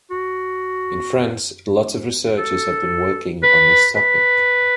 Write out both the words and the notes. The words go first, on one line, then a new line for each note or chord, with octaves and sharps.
In France a lot of researchers have been working on this topic.
F#4
A4
B4
B4